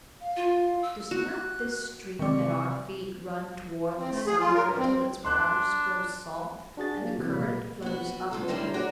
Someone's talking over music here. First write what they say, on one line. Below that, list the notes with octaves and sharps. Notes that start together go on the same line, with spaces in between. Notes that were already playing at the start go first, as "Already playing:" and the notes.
"Does not this stream at our feet run toward the summer, until its waters grow salt, and the current flows upward?"
F5
F4
E6
F#4 F#6
C3 D#3 C4 D5 C#6
C4
A3
G#4
F4
A#4
G2
C4
D4 C6 F#6
D4 F#4 G#4 A6
A#3
C3 E3
A#2 A#3 B5
B3 F#4
G#2 F4 A4
F#2 D3 G3 E4 A#4 C5
F#4 G#4 A#4 C#5 D5